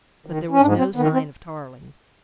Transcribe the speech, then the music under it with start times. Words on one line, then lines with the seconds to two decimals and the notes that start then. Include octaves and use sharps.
But there was no sign of Tarling.
0.26 D#3
0.51 C#4
0.61 G#2 D4
0.78 C4
0.96 D#3 B3
1.13 C4